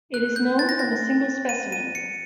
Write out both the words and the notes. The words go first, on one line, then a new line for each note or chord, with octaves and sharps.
It is known from a single specimen.
F#6
G6
A6
A#6
A6
D#7
D#7
C#7